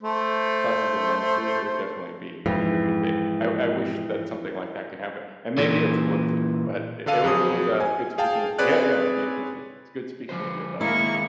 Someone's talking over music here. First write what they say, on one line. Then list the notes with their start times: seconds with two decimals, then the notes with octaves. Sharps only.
pluses and minuses, it would definitely be a good thing. I I wish that something like that could happen, and maybe it's going to. But it it wa it was, uh, good speaking Yeah, yeah, it would be interesting. It's good speaking with you about this.
0.03 A3 C5
2.46 F2 G#2 E3
5.58 A#2 E3
7.06 D3 D4 A4 F5 D#7
7.24 F2 F#3 G#4 C5 D#6
7.80 G#5
8.18 G#4 F5 G5 A5
8.58 C4 G#4 B4 C#5 D5 F#6
10.29 F3 B4 C5
10.81 D#3 G#3 A#3 B3 E4 C#6